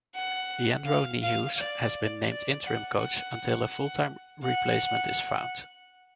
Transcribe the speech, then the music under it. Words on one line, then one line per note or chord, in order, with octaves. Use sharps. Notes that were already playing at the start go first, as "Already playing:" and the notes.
Leandro Niehues has been named interim coach until a full-time replacement is found.
F#5
F5
F5
D5
D5
F#5
F#5
F#5